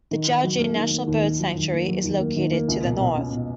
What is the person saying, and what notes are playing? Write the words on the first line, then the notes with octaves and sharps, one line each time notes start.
The Djoudj National Bird Sanctuary is located to the north.
D#3
D#3
F#3
A#3
D#3
A#3
D#2
D#3
F#3
D#2
A#3
F#3
D#2
A#3
D#3
A#3
C#2
B2
B2
C#4
B2